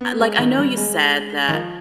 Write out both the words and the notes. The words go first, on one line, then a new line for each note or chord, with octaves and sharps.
like I know you said that
B3
G#3
D#3
G3
G#3
D#3
F3